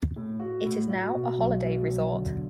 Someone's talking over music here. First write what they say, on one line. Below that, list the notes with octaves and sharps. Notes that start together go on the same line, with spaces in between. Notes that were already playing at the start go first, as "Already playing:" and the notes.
It is now a holiday resort.
A2
F#4
A2
F#4
B2
B1
B2
B1
D3